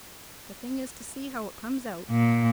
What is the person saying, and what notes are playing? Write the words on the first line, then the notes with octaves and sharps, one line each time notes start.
The thing is to see how it comes out.
A#2